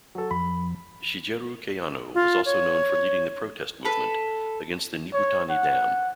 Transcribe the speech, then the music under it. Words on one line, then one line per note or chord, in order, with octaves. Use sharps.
Shigeru Kayano was also known for leading the protest movement against the Nibutani Dam.
F#3 A4
F2 B5
F4
C#5
A4 B4
C#5
F#5